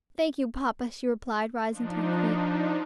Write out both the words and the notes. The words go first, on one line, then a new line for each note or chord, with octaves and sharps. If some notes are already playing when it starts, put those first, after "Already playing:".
"Thank you, papa," she replied, rising to her feet.
F3 D4 D#4